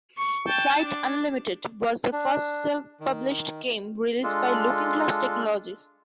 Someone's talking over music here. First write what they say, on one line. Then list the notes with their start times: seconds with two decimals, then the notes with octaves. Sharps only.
"Flight Unlimited" was the first self-published game released by Looking Glass Technologies.
0.17 C#6
0.47 G5 A5
0.81 D4
2.12 D4
3.00 D#3
4.23 G#3 D4 F4 A4